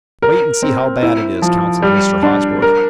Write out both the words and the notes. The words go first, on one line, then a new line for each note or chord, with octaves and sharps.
"Wait and see how bad it is," counseled Mr. Hosbrook.
A#4
C4
E4
F3
G3
D4
A#4